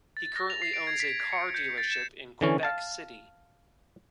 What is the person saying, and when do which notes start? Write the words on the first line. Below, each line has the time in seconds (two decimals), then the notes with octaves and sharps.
He currently owns a car dealership in Quebec City.
0.17 A6
0.36 A#6
0.50 F7
0.62 C7
0.73 D7
0.87 G#6
1.00 B6
1.20 B6
1.32 C#7
1.54 G6
1.78 A6
1.92 E7
2.41 D3 E3 C#4
2.63 F5 A5